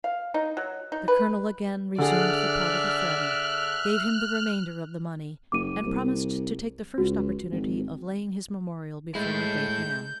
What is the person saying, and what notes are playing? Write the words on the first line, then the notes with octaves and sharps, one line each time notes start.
The colonel again reassumed the part of a friend, gave him the remainder of the money, and promised to take the first opportunity of laying his memorial before a great man.
F5
D#4
F#3
D#4
B4
D3 G#4 D5 E5 F6 F#6
F#1 D6 D#7
C2
C#2 F#4
G#1
G#3 A3 E4 G6